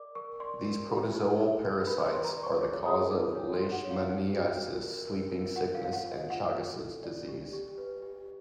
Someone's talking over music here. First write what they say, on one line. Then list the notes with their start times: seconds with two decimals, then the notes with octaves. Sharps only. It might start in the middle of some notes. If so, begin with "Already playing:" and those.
These protozoal parasites are the cause of leishmaniasis, sleeping sickness and Chagas' disease.
Already playing: A#4 D5 D6
0.15 A#4 C#6
0.40 D5 C6
0.64 A#4
0.90 G4
1.14 D#4
1.38 D#4
1.63 B4
1.87 B4 B5
2.06 C6
2.11 B4
2.24 A#5
2.37 D5
2.43 C#6
2.61 C#5 D6
2.86 G#4 D#6
3.11 D#4 D6
3.35 C#5
3.53 C6
3.59 D#4
3.72 F#5
3.84 C#5
3.90 F5
4.09 D#4 F#5
4.34 F#4
4.58 A#4
4.82 A#4
5.07 A#4
5.32 A#4
5.56 F4 F#5
5.75 F5
5.81 F4
5.93 F#5
6.06 F4
6.11 D#5
6.30 F4 F#5
6.55 F4
6.79 A4
7.04 D5
7.28 G4
7.53 G4
7.78 B4
8.02 G4